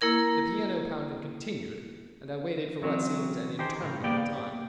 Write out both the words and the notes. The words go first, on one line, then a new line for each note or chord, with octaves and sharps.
The piano-pounding continued and I waited for what seemed an interminable time.
A#3 E4 A#4 G#6
E3 F#3 C4 C#4
D#3 G4 G#4 A#4 C5
A2 C#3
A#3 B3 G4 D5 G5